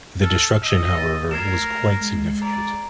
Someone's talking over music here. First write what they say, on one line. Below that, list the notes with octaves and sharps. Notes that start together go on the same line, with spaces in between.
The destruction, however, was quite significant.
A4 F6
D#5 E6
A6
A3 A#4 G#6 C7 E7
G#3
D5 A#5